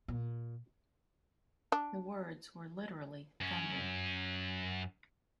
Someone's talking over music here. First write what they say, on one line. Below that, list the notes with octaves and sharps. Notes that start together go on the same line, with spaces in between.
The words were literally thundered.
A#2
D4
F#2 C#4